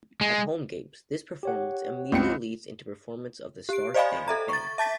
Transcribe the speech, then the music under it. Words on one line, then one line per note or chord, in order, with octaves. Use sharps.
At home games, this performance immediately leads into performance of The Star-Spangled Banner.
G#3
G4 C#5 F#5
C#2 C4 C#7
G4 D7
C5 D5 D#5 F5 G#5 B5
A4 E5 A#5
C#6 A6
E5 A5 A6 B6